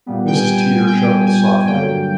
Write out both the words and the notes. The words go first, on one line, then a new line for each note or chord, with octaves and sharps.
Mrs. Teeter chuckled softly.
A#2 G3 B3
G5
G#5
G#5
G#5
G5
G#5
G2 D3 F#3 A#3 G5